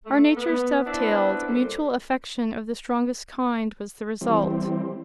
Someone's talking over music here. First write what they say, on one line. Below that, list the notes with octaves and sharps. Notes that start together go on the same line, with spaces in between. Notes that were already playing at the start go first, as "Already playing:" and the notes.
Our natures dovetailed: mutual affection--of the strongest kind--was the result.
A3
B3
B3 C4 D4 E4 B4
A#2 G3 C4 G4 A4
E3 G3 C4